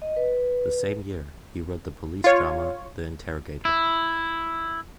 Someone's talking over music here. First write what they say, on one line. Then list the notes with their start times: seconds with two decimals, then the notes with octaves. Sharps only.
The same year, he wrote the police drama "The Interrogator".
0.02 D#5
0.16 B4
2.24 F4 C#5
3.65 E4